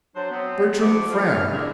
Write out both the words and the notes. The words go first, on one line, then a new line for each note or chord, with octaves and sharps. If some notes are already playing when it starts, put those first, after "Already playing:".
Bertram frowned.
F#3 D4 C5
F#3 B3 C4
D2 F3 E4 F#5 D6
D2 F3 A#3 F4
F6
D4 E4 G#4 A#4 C5 E5